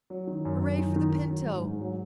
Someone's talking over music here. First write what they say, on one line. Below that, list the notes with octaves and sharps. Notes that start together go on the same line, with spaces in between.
"Hooray for the Pinto!"
F#3
D#3
F#2
F#2
D#3
D#3
D#3
F#3
G#2
G#2
F#3